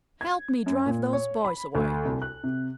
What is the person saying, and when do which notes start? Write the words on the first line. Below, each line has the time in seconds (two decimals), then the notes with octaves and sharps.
"Help me drive those boys away."
0.21 G#6
0.66 F#2
0.86 A#2
1.13 C#5
1.45 B5
1.75 D2
2.05 C2
2.22 F#6
2.44 C3